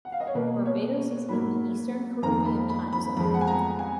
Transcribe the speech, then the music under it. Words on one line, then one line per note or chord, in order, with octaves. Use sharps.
Barbados is in the Eastern Caribbean Time Zone.
F#5
F5
D#5
C#5
B2 A#3 B4
C#5
G#2 F#3 A#3 B5
F2 D#3 A#3 A#5
B5
B5
B5
F2 F3 G#3 B5
F#5
G#5
A#5
G#5